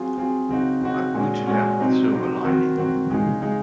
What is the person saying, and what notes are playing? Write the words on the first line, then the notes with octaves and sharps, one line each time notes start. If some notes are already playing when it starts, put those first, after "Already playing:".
I pointed out the silver lining.
Already playing: F#3 C4 F4 G#4
F#3 C4 F4 G#4
C#3 F#3 C4 D#4 F#4
C#3 F#3 C4 D#4 F#4
A#2 G#3 C#4 F#4
A#2 G#3 C#4 F#4
C3 F#3 C4 D#4
C3 F#3 C4 D#4
D#3 F#3 C4 F#4
D#3 F#3 C4 F#4
C#3 G#3 D#4 G#4
C#3 G#3 D#4 G#4